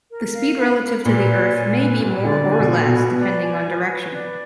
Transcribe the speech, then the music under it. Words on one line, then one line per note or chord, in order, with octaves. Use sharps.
The speed relative to the earth may be more or less, depending on direction.
A#4
F5
B5
A#4
A#2 B4
D5
G#5
B4
A#2 B4
D3 D5
D3 G#5
B2
A#2 B4
B2
B4
D5
G#5
B4
B4
D5